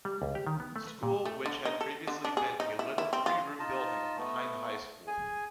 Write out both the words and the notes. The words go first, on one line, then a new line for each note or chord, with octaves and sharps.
School which had previously been a little three-room building behind the high school.
G3
C#2
G4
D#3
B3
A3
B4
A#2
A3
D3
D#4
A4
D3
D4
G#4
D#4
E4
E4
C4
F4
D#4 F4 D#5 A5
A3 B3
G#4 G#5